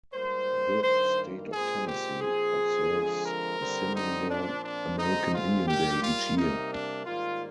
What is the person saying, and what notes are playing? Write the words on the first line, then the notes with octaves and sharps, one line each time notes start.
The state of Tennessee observes a similar American Indian Day each year.
G#2 G3 A#3 C5
G2 D#3 A#3 C5
A#2 G#3 C4 G#4
G4
A#2 F3 C4 G#4
D3 F3 G#3 C4
A#4
D3 G3 C4
D#4
A#2 F3 C4 D4
D4
D3 G#3 C4 D#4
F4
G#2 G3 A#3 G4
F4
C3 G3 A#3 D#4
D4
G#2 D#3 G3 A#3 F4